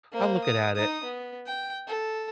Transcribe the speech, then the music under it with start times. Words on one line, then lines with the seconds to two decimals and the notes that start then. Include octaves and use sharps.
I'm looking at it.
0.12 A#3 C5
0.44 D#6
0.76 D#4 D#6
1.04 B3
1.46 G5
1.87 A4